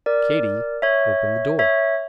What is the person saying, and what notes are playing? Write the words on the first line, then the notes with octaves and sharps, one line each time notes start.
Katy opened the door.
A#4 D5
C#5 E5
C#5 E5